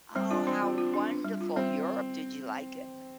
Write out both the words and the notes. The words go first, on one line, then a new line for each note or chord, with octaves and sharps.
Oh, how wonderful. Europe, did you like it?
G3 C4
D4 F4
C4 D4
F4
F4
D4
D4
G3
F4
G3 C4